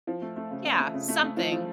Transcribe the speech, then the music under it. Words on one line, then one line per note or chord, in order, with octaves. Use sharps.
Yeah, something,
F3
A3
A3
C#3
C#3
A3
C#3
A3
A3
F3
F3